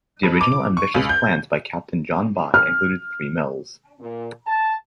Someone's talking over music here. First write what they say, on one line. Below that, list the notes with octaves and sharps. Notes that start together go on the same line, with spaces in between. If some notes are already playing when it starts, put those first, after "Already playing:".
The original ambitious plans by Captain John By included three mills.
F2
D6
C#6
C#2
G6
F6
A#2
A5